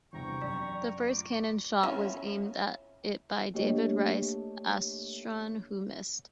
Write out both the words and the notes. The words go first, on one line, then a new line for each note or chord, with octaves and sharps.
The first cannon shot was aimed at it by David Rice Atchison, who missed.
E2 G2 C3 G5 A#5 C#6
F#2 D5
A3 F4 D6
C#4 E4 F4
A3 A#3 D4 G4 C#5 D#5